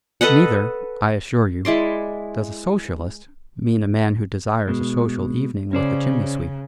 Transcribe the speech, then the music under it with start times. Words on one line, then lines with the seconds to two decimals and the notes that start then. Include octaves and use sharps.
Neither, I assure you, does a Socialist mean a man who desires a social evening with the chimney-sweep.
0.21 A4 B4 D#5 F#5
1.65 G#3 E4 D5 C6
4.67 B2 G#3
5.73 C#3 C#4 C5 D5